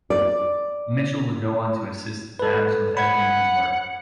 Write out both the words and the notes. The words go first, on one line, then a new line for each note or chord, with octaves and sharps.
Mitchell would go on to assist Dabbs with editing his work.
D5
A4 B4
F#5 B5 G#6